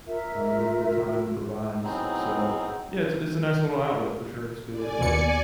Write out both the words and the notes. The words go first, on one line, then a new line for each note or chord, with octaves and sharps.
um, if the time provides. So, yeah, it's it's a nice little outlet for sure. It's a good way to put it.
F4 A#4 E5
A2 F#3 B3 C4 D#4 G#4
D5 G#5
D#2 B2 C#7